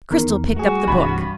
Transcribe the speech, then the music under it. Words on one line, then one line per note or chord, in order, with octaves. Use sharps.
Cristel picked up the book.
E2 D#3 A#4
G3 A3 F#4 G#4
C2 G2 E3 B5